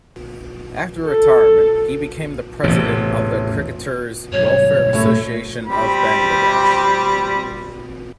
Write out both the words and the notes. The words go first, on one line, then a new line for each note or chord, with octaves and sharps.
After retirement he became the president of the Cricketers' Welfare Association of Bangladesh.
A4
A1 E2 C3
G2 B2 F#3 C#5
A2 A3
G3 C4 B5